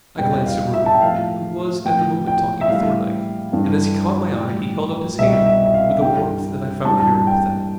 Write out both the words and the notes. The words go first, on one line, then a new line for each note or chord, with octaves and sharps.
I glanced at Reuben, who was at the moment talking to Thorndyke, and as he caught my eye he held out his hand with a warmth that I found very pathetic.
E2 B2 G3 G5
F5
E5
A5
G5
A2 F3 F5
A2 F3 G5
G5
E5
A2 E3 G3 F5
G2 E3 G3
A2 G3
C2 B2 G3 E5
E5
E5
F5
G2 E3 G3 G5
G2 E3 G3 A5
A5
A5
G5